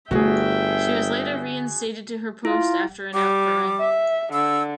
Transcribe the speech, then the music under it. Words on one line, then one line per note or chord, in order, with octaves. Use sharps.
She was later re-instated to her post after an outcry.
G1 D3 A3 F#4 G#4 E5 G5
E4 F4
G3 D6
E5
D3 E6